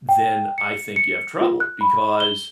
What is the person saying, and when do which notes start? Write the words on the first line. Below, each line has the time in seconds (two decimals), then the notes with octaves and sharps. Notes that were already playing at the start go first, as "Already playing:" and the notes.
then I think you have trouble, because,
0.09 G5
0.58 C#7
0.96 C#7
1.41 F4
1.60 F#6
1.81 B5
2.20 G7